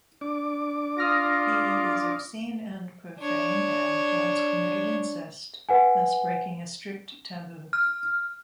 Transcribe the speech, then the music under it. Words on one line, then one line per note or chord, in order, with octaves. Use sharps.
He is obscene and profane and once committed incest, thus breaking a strict taboo.
D4 D6
F4 D#6 F6 A#6
D4 C#5
B4 F#5 G#5
F6